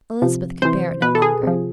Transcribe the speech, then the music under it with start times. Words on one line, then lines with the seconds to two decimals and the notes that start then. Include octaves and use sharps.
Elizabeth could bear it no longer.
0.22 C3 F3
0.62 C3 E3 C5
1.02 B2 B4
1.15 A4
1.22 G#4
1.43 C3 F3